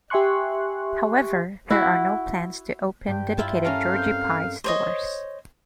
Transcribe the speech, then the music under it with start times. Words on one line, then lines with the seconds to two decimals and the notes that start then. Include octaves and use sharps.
However, there are no plans to open dedicated Georgie Pie stores.
0.10 G4 E5 G#5 C6 C#6 F#6
1.70 E4 F#4
3.07 G2 G5
3.38 E4 F4 A5
3.64 C#4 A4 A#4 F5 A5 A#5
3.93 C4 G6
4.64 C5 C#5 D#5